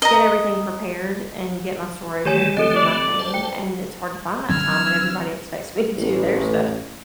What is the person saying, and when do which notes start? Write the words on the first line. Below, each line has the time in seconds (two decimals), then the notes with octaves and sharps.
get everything prepared and get my store open and do my thing, and it's hard to find that time when everybody expects me to do their stuff.
0.02 D#5 A#5
2.25 D#3 E3 A3 G4 C#5 G#5
2.57 D3 A3 C4 A4 D#5
2.75 D5
3.19 C5 A5
3.34 G5
4.49 D3 F#3 C4 E6 F6 G#6
5.96 A1